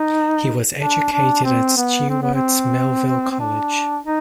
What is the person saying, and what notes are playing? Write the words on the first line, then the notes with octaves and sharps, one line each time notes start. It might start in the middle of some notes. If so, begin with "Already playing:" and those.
He was educated at Stewart's Melville College.
Already playing: D#4
D4
D4
C4
B3
C4
B3
C4
C4
D4
D#4